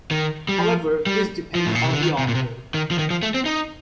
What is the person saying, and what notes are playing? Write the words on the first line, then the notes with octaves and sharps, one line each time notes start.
However, this depends on the author.
D#3
G3
F3
G3
F3
A2
A#2
C3
D3
D#3
C3
A#2
C3
D#3
F3
D#3
F3
A3
C4
D#4